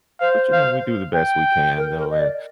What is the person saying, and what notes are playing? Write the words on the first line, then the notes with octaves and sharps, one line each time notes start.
But, you know, we do the best we can, though, and
C5 F5
F5
G5
A#4
A#4
D#5
D5